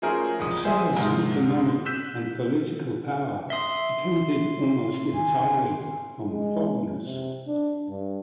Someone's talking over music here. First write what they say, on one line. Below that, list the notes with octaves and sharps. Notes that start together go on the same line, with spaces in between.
Pasai's economic and political power depended almost entirely on foreigners.
F3 A3 C#4 G#4 A#4 C5
E1 F2 D#6
G#4 C5 E5 G#5
G#2 C3 D#3
E6 F#6 G6 B6 E7
E5 C6 D#6 C7 G7
D#3 G#5
G#3
C3
D4
G2